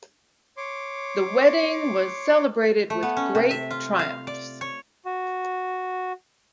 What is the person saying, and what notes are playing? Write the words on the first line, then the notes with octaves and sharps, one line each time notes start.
The wedding was celebrated with "great triumphs".
C#5 C6 D6
A3
B3
C#4
C3
E5
F4
F5
D5
C#5
F#4